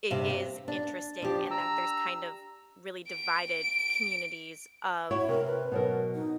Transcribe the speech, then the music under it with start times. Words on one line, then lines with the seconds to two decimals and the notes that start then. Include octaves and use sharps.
It is interesting in that there's kind of really divided communities of,
0.10 G2 C3
0.30 C4
0.68 D4
1.22 F3 D4 G4
1.51 A#5 E6
3.08 D7
5.11 E4 F#4 C#5
5.28 C3 A#4
5.47 B4
5.72 B2 F#3 A#4
6.15 D#4